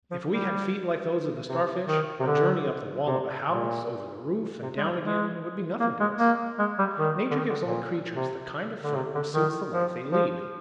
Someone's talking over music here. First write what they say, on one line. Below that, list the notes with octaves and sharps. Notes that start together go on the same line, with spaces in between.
If we had feet like those of the Starfish, a journey up the wall of a house, over the roof, and down again, would be nothing to us. Nature gives all creatures the kind of foot which suits the life they lead.
F3
G3
C3
D#3
C3
D3
C3
A#2
C3
G#3
G3
G#3
A#3
G#3
A#3
G#3
G3
D#3
D3
D#3
D3
A#2
C3
D3
C3
D3
D#3
F3
F3